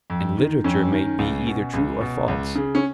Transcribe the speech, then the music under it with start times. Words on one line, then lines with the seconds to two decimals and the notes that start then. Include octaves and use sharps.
And literature may be either true or false?
0.10 F2
0.37 D#3
0.64 F2 C#4
0.92 D#3
1.19 C#2
1.47 B2
1.74 C#2
2.01 B2
2.28 C#2
2.55 C#3
2.75 C#4